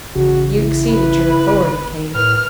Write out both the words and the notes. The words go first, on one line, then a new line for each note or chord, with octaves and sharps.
"You exceeded your authority, Katie."
A1 C#3 F#4
E4
B4
G1
A2 A#4 B4 F6